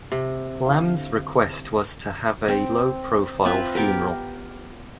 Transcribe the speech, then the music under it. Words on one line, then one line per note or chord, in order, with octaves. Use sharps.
Lam's request was to have a low-profile funeral.
C3
D3 E4 F5
C4
C4 F4 B4 E5
B3 G4 A#4